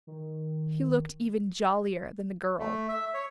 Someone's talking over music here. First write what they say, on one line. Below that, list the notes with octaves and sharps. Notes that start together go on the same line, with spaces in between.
He looked even jollier than the girl.
D#3
A3
E5
C#5